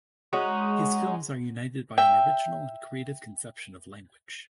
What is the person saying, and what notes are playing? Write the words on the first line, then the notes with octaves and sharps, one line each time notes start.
His films are united by an original and creative conception of language.
G#3 C#4 D#4 F#4
E5 G5